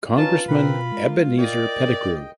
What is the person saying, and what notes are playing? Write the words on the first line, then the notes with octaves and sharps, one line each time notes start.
Congressman Ebenezer Pettigrew.
C#4 D#4 F4 B4 A5
B2 C4 A#4 B4 B5
G#3 A#4
A#4 D5 D#5 G5